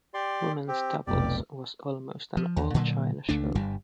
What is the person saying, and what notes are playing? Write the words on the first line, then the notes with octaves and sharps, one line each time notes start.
Women's doubles was almost an all-China show.
G4 D5 C6
C4 G4
F1 B1 G4 D5
F3
D#2
A#2 D3 F#3 A#3
C#2 A3 D4
G1 G2 G3